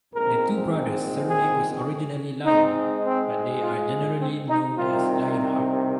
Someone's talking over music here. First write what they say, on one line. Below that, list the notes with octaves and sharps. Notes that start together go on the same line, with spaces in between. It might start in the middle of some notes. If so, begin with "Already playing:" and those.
The two brothers' surname was originally Lion, but they are generally known as Lionheart.
A#1 G#2 G#3 C4 A#4
G#4
G#2 G#3 C4 D#4
C4
F4
C4
D#4
C2 C3 D#3 C4 F4